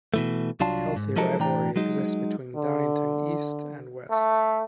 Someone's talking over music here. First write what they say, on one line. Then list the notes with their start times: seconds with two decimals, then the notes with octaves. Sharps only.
A healthy rivalry exists between Downingtown East and West.
0.14 B2 E3 A3
0.60 C2 F#3 D4 F4 A5
0.96 G#2
1.16 F3 F#3 G#3 D#4 A4 A#4
1.39 A2 E3 D4 G5 A#5
1.76 F#3 G#3 D#4
2.56 D3
4.11 A3